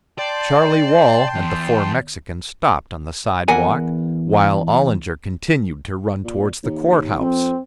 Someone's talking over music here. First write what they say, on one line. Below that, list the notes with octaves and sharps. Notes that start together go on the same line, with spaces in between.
Charlie Wall and the four Mexicans stopped on the sidewalk, while Ollinger continued to run towards the court house.
D5 G5 A5 C6
E2
E2 A#4 F#5 G#5
A#2
D#2
F2 C4